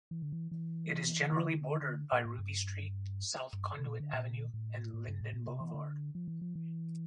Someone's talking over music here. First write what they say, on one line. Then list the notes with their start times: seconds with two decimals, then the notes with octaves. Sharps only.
It is generally bordered by Ruby Street, South Conduit Avenue, and Linden Boulevard.
0.11 E3
0.22 D3
0.32 E3
0.51 E3
1.32 D3
2.12 A#2
2.25 A2
2.39 G2
3.53 G2
3.79 C3
3.87 A#2
4.00 D3
4.13 A#2
4.54 A2
4.94 A2
5.08 G2
5.21 A2
5.34 A#2
5.48 C3
5.61 E3
5.74 D3
6.15 F3
6.28 E3
6.41 F3
6.55 E3